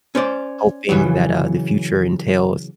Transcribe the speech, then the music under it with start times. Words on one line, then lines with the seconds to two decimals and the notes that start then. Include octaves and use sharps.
hoping that, uh, the future entails,
0.15 C#4 C5 D5
0.89 C#3 E3 F#3